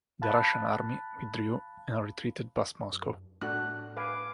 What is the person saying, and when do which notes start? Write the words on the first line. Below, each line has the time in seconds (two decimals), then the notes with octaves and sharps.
The Russian army withdrew and retreated past Moscow.
0.22 F5 A5 B5 F#6
2.92 F#2
3.41 A2 A3 D4 F#4 F#6
3.97 B4 F5 G#5 D6